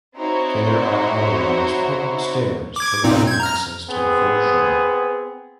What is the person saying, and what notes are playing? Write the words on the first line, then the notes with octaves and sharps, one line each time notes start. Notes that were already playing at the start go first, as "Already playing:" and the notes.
There are otherwise, public stairs providing access to the foreshore.
C4 D#4 E4 F#4 C5 C#5
D6 G#6
A#2 C4 D#4
G6 G#6
A#5 F6
B3 C4 G#4